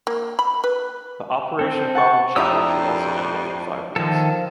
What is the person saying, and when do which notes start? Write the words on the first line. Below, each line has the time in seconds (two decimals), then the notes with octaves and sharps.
The "Operation Problem Child" should also end after five years.
0.07 A#3
0.39 B5
0.64 B4
1.59 C4 A4
1.95 F#5 A5 C#6
2.36 F2 D4 E4 G4 A#5 D#6 E6
3.96 D#3 F3 A#3 A4